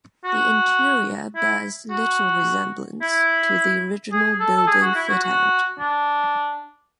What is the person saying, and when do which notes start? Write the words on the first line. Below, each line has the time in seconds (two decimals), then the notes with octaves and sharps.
The interior bears little resemblance to the original building fitout.
0.24 F#4
1.35 E4
1.90 F#4
3.02 E4
4.13 G#4
4.40 A4
4.57 A4
4.67 G#4
4.81 F#4
4.95 E4
5.09 F#4
5.23 F#4
5.79 D4